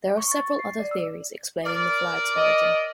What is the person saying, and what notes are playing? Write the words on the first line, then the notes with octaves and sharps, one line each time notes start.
There are several other theories explaining the flag's origin.
C#6
A6
C7
D5
E6
A#4 D5
D#5